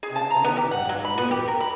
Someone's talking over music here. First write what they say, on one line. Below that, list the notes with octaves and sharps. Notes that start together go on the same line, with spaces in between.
I own that I reeled.
G#4
A5
A#5
B3
G4
F#5
F#3
B5
B3
G4
A#4
B5